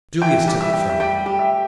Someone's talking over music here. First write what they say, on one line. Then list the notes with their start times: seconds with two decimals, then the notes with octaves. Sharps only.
Julius took it from him.
0.22 E3 G5
0.47 G3
0.61 E5
0.73 G4
0.89 E5
1.00 G3 G5
1.26 G4
1.39 E5